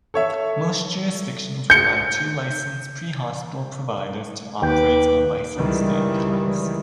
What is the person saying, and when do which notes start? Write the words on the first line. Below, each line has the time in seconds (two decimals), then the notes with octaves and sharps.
Most jurisdictions require two licensed prehospital providers to operate a licensed ambulance.
0.14 A4 C#5 E5
1.70 G6 C#7
4.62 D#2 B4 G5 D6
5.56 C#2 D#3 E3 G3